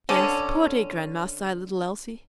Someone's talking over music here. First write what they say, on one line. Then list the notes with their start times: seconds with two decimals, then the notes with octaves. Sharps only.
"Yes, poor dear grandma!" sighed little Elsie.
0.09 D3 C#4